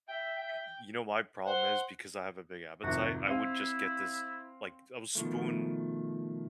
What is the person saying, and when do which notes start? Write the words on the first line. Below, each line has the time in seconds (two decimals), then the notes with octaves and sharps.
Y you know, my problem is because I have a big appetite, I would just get this, like I would spoon
0.08 E5 G5
0.38 G5
1.46 C5 F#5
2.83 G#1 F2 C3 F#4
3.26 C4 E4 F5 D#7
5.15 B2 D#3 F3 A3